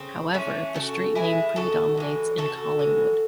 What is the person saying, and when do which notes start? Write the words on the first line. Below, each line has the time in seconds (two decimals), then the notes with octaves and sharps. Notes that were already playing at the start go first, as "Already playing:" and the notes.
However, the street name predominates in Collingwood.
Already playing: C#3 C4
0.34 E3 G#3 A3 C#4
0.74 C#3 F#4 A4
1.15 E3 G#3 E4 G#4
1.56 C#3 F#4 A4
1.97 E3 G#3
2.38 C#3 F#4 A4
2.79 E3 G#3